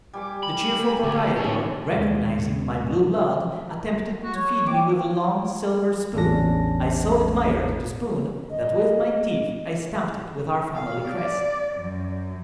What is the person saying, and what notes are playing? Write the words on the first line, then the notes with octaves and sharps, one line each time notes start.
The cheerful proprietor, recognizing my blue blood, attempted to feed me with a long, silver spoon; I so admired the spoon that with my teeth I stamped it with our family crest.
G3 G#5 D6
B5
G4 G#5
D2 D5
C#4 D#4 G4 A4 A5
D#2 C3 D#3 G#3
F#5
F#4
C#5
C3 G3 C4 D6
A1 E2 C#4 D4 A#6
D#5
F5
D5
F#2